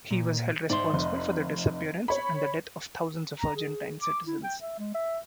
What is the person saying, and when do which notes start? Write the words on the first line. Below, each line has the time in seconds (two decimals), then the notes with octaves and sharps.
He was held responsible for the disappearance and the death of thousands of Argentine citizens.
0.11 A#2
0.70 G#2 D5 E5 C6
0.90 F1 D#5
2.08 C#5 B5
3.39 A#5
3.55 G#4
4.02 D6
4.27 E4
4.44 G5
4.61 E5
4.79 G#3
4.95 E5